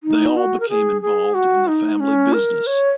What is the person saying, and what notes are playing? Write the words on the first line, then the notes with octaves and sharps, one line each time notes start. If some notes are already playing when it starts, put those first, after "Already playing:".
They all became involved in the family business.
D#4
F#4
A#4
G#4
G#4
F#4
D#4
C#4
A#4
C#5